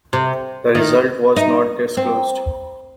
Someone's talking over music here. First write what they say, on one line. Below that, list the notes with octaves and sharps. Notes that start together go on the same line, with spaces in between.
The result was not disclosed.
C3
D#3
D#4
C4